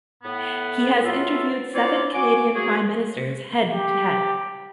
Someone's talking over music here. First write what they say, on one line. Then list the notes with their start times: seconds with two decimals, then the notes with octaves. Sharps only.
He has interviewed seven Canadian Prime Ministers head-to-head.
0.23 A2 B3
1.04 E3 F#3 B3 F4 A4 E5
1.74 C4 C#4 E4 F4 C#5 D5
2.14 F#4 G#5 D6
2.55 C#3 F#4 G#4
3.70 G4